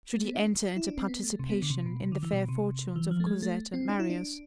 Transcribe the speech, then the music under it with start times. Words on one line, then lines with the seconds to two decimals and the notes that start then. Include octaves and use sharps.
Should he enter into participation in the fair fortunes of Cosette and Marius?
0.14 A3
0.25 B3
0.35 D4
0.76 E4
0.87 D4
0.97 C4
1.08 B3
1.24 A3
1.39 C3
1.50 B3
1.62 D3
1.70 C3
1.86 B2
2.02 C3
2.12 D3
2.23 E3
2.33 B2
2.49 C3
2.96 E3
3.11 F3
3.20 A3
3.26 G#3
3.42 A3
3.74 C4
3.89 D4
4.00 E4
4.10 D4